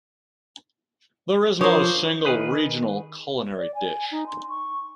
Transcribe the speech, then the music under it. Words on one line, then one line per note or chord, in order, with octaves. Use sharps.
There is no single regional culinary dish.
F3 D4 A#4 C5 C#5 D6 D#6
D#3 G#4 B4
D5
G#5
D#4
C6
C#6